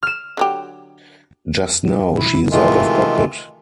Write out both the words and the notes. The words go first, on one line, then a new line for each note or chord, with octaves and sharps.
Just now she is out of pocket.
F6 E7
D3 F#3 G4
E4
C3 D#3 E3 G#3 A3 F4